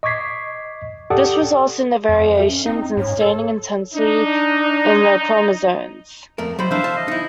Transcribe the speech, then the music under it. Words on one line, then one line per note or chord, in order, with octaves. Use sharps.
This results in the variations in staining intensity in the chromosomes.
D#5 C#6 D6 G#6 B6 C7
G4 A4 D5 F#5 D6 D#6
F2
E5
C#4
C4 D#4
G#2 C#5
A4
D4 D#4
F2 A3 A#4
F#3 C5 B5
E3 D4 C5 E5 F5
A5
D#5
D#4 E4